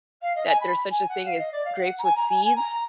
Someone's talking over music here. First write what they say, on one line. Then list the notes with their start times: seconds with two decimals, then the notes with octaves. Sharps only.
that there's such a thing as grapes with seeds
0.21 F5
0.35 D#5
0.47 G#5
0.60 B5
0.90 G#5
1.08 F#5
1.25 F5
1.38 D#5
1.52 D5
1.64 F5
1.77 F#5
1.98 A#5
2.03 G#5
2.15 A#5
2.29 G#5
2.45 G#5
2.55 A#5